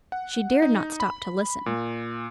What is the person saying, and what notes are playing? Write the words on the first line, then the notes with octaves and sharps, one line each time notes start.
She dared not stop to listen.
F#5
D#4
B5
A#2